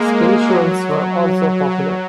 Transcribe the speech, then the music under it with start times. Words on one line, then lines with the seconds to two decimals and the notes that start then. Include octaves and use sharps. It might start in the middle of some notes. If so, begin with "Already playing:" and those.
Spirituals were also popular.
Already playing: G#3 A#3
0.48 F#3
1.70 F#3